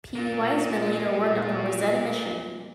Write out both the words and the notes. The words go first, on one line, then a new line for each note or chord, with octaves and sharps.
P. Weissman later worked on the Rosetta mission.
A#3 F4